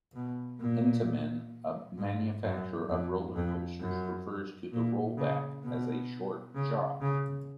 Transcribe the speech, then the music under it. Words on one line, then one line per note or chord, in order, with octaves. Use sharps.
Intamin, a manufacturer of roller-coasters, refers to the "rollback" as a "short shot".
B2
A#2
G#2
F#2
F2
F2
F#2
A#2
C#3
B2
C#3
C#3